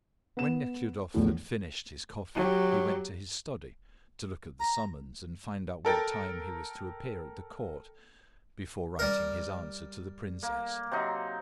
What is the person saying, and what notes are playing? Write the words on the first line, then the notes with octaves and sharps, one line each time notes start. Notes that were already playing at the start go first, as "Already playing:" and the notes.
When Nekhludoff had finished his coffee, he went to his study to look at the summons, and find out what time he was to appear at the court, before writing his answer to the princess.
B3 E7
A#1 E2 A2
F#3 G4
A#5
A4 A#4 G5 A6
G3 A#4
A#3
C3 F#3 D#4